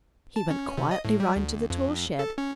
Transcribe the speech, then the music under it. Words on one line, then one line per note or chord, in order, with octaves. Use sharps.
He went quietly round to the tool shed.
A5
C#4
C3
D#5
A2
G3
D2
F2
A4
C#4